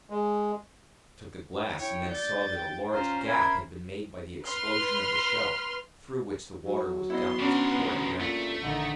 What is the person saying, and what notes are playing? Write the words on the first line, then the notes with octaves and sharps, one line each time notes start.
I took the glass, and then saw that a large gap had been made by the explosion of the shell, through which the water was doubtless pouring rapidly.
G#3
E4 C#5 G5
D5 G6 A6
G5
C#4 F4 C5 A#5
A#4 E5 B5 G#6
B4 C6 F6
F#3
B3 E4 D#5 C6
B2 C#4 D4 F#4 A#4
A1
A#2 A3
A#1 D3 D#3 D#4